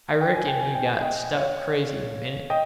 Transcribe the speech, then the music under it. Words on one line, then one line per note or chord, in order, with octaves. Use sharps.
I reckon he got struck crazy a minute.
G5
G#5
G5
G#5
G5
G#5
D#5 G5
C#5 F5
D#5 G5